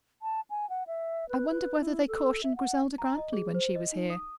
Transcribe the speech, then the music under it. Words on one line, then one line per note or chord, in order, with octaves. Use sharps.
I wonder whether they cautioned Griselda Grantly when she was here?
A5
G#5
F#5
E5
B4
B4
E4
A4
E5
F#5
A#5
D#5
G#4
C5
D#5
D#4
D#6